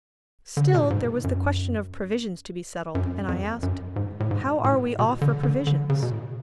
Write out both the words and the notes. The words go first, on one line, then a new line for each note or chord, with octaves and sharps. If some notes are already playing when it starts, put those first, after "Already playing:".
Still there was the question of provisions to be settled, and I asked--"How are we off for provisions?"
D3
C#3
B2
A2
G#2
F#2
F#2
F2
F#2
F2
F#2
G#2
A2
G#2
A2
B2
D3
D3
D3
C#3
B2
A2